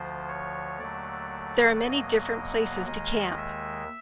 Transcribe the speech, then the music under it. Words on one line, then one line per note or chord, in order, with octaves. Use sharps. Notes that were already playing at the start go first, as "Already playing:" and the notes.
There are many different places to camp.
Already playing: D2 D3 F3 C5
C#5
D#2 D3 F#3 A3 D5
E2 B2 F#3 A#3 D#5
D#2 D#3 G#3 D#5
E5